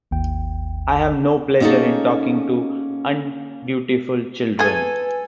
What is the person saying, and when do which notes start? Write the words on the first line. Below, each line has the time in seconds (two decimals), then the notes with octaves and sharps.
I have no pleasure in talking to undutiful children.
0.11 G#1 D#2 G5
1.60 A#3 C#4 D#4 F#4 G#4 A4
4.59 A3 G#4 A4 B4 G#5